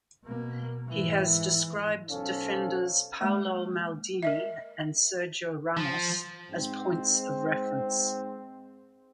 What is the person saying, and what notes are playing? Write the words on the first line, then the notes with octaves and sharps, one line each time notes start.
He has described defenders Paolo Maldini and Sergio Ramos as points of reference.
B2 A#3
G#2 E3
B1 C#4 A4 C5 F5
G#3 A#3
A#4 D#5 E5
F3
G#2 C4